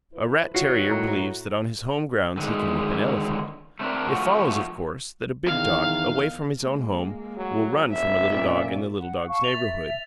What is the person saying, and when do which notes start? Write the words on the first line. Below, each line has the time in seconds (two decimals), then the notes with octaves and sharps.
A rat-terrier believes that on his home grounds he can whip an elephant. It follows, of course, that a big dog, away from his own home, will run from a little dog in the little dog's neighbourhood.
0.12 F3 E4 B4
0.55 D#3 F#3 F4 F#4 C#5 C7
0.90 A2 A#5
2.38 D3 D#3 G#3
3.80 A3 C4 D4 A#4
4.07 F3 A3 F#4
5.46 E2 D#3 F5
6.58 G#3 A#3
7.37 F#3
7.92 F1 E5
8.30 A#2 C#4 D5
8.97 F#5
9.28 F5 A5 C#6
9.44 E5 A6 F7